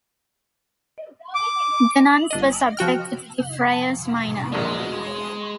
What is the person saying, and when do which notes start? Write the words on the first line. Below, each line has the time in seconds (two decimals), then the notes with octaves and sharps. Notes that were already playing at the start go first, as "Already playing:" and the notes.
The nuns were subject to the Friars Minor.
1.35 D6
2.31 G1 D4 D#5
2.77 F3 F#4 G5 F6
4.52 A#1 G#3 A#3 D4
4.80 B2